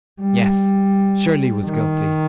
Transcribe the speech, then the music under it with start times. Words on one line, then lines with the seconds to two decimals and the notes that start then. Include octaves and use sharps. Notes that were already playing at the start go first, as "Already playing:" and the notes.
Yes, Shirley was guilty.
0.21 G3
1.66 D#3